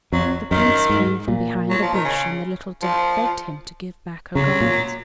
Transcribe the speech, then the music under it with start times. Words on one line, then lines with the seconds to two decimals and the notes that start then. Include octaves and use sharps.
The Prince came from behind the bush and the little duck begged him to give back her garment.
0.12 F2 F#3
0.51 F#2 D#3
0.90 G#2
1.28 A#2
1.70 F#3
1.81 F3
1.93 D#3
2.04 C#3
2.82 F3
4.35 C#3 F#3
4.61 A#2